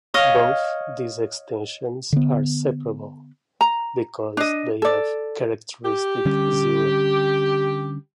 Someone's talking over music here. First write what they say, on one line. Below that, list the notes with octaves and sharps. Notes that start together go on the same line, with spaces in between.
Both these extensions are separable, because they have characteristic zero.
C#5 D#5 F5
D3 B3
A#5
D4 D#5
A4 D5
G4
D3 G3 C#4